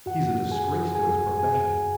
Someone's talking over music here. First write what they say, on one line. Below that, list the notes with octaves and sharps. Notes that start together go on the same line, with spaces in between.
"He's a disgrace to his profession!"
F#2 F#4 F#5
F#2 G#4 G#5
F#2 G#4 G#5
F#2 G#4 G#5